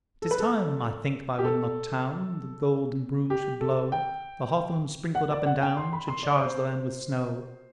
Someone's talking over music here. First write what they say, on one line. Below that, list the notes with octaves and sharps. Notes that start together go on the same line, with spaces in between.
'Tis time, I think by Wenlock town The golden broom should blow; The hawthorn sprinkled up and down Should charge the land with snow.
A4
B4
A4
G4
A4
G4
A4
G5
F#5
D5
F#5
G5
C6
B5
C6
D5
C5